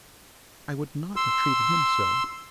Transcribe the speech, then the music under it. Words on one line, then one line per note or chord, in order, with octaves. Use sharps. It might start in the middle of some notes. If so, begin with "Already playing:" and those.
I would not have treated him so.
C6 E6